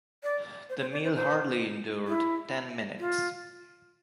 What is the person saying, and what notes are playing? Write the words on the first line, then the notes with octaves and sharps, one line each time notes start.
The meal hardly endured ten minutes.
D5
C5
C5
D5
C5
C5
E4
F4